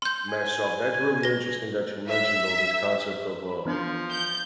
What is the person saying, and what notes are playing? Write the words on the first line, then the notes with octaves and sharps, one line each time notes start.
mess up. That's really interesting that you mentioned, though, this concept of, uh,
C6 G6
G#5
B4 A#6
E5
E3 F3 B3 D4
G6